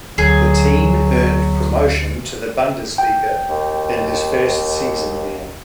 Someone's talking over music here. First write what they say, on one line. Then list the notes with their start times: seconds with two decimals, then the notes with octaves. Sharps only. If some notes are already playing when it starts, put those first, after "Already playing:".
The team earned promotion to the Bundesliga in his first season there.
0.18 D2 F#3 G#4
2.98 G5
3.49 D#2